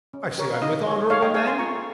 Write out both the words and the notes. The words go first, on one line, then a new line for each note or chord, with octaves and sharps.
I see I'm with honorable men.
C#4
G4 A#4 C#5
F5
D#4 D#5
G#4 C#5
D#4 C#5 F5
D#5 G5
G#4 C#5 F5 G#5
G#5 C6
F4 A#5 C#6